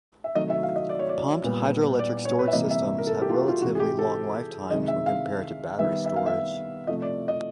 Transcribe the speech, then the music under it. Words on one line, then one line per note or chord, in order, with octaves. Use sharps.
Pumped hydroelectric storage systems have relatively long lifetimes when compared to battery storage.
E5
C3 D#3 F#3 A3 D#5
E5
F5
D#5
D5
C#5
D5
A#2 G3 B3
D5
D5
C#5
B4
E5
C3 E3 G3 A#3 D#5
E5
A#4
A4
G4
F4
F#4
F4
C3 E3 G#3 F#4
G#4
G4
A4
C3 D#3 G#3 D#5
E5
F5
D#3 G3 B3 E5
E5
F5
E5
C3 F3 A3 D#5
D5
D#5